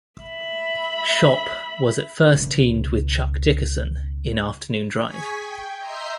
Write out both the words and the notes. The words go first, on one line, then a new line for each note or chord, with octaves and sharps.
Schopp was at first teamed with Chuck Dickerson in afternoon drive.
E5 B5
C#2 B2
G#4 G#5 C#6 G#6 B6
G5
D#5 E5 A#5 C6 G6 C7